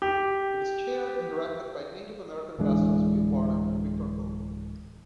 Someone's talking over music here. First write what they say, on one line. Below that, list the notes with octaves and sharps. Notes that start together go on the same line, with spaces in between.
It is chaired and directed by Native American pastors Bill Barnett and Victor Cope.
G4
D1 E3 G#3 D4